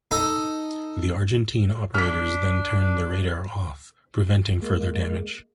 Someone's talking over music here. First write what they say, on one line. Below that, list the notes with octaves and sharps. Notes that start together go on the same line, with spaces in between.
The Argentine operators then turned their radar off, preventing further damage.
D#4 A4
D4 F6 B6
G#3 A#3